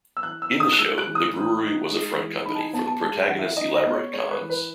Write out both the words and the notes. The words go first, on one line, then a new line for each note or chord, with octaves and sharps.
In the show, the brewery was a front company for the protagonists' elaborate cons.
E6
E3 F#6
E6
D#4
D#6
F#6
G#3 E6
F#6
E3
D#6
E3
D#4
G#3
E3
D#4 B5
A5
G#5
B3 A5
A5
G#3 A5
G#5
E3 F#5
E5
D#4 D#5
D#5
B3
C#5
G#3 C#5
B4
E3
B4